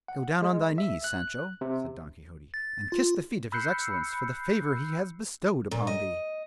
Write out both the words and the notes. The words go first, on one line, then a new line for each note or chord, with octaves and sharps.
"Go down on thy knees, Sancho," said Don Quixote, "and kiss the feet of his excellence for the favour he has bestowed upon thee."
F#5
G#3
E5
F#6
C3
A6
F4
B5 E6 F#6 G6 C7 C#7
A#2
D#5